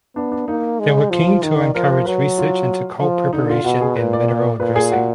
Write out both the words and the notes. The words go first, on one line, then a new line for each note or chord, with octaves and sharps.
They were keen to encourage research into coal preparation and mineral dressing.
B3 D4
D4
A#3 D#4
G#3
F3 F4
F4
D#3 D#4
D5
F3 A#4
A#4
F#3 B4
F4
F3
D3 D#4
F4
B2 F#4
G#4
A#2 B4
D5
D5
A#2 B4
G#4
F#4